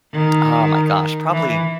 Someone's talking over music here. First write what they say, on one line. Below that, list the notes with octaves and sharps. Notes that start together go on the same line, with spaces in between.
Oh my gosh. Probably
D#3
E3